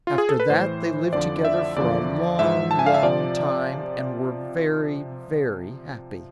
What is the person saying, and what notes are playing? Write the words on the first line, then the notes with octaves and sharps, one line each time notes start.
After that they lived together for a long, long time, and were very, very happy.
F4
G#4
A4
B4
A2 E3 C5
F2 D3 F3 D5
E5
E2 D3 F3 D5
G#2 F3 E5
A5
G#5
F5
E5
C3 F3 D5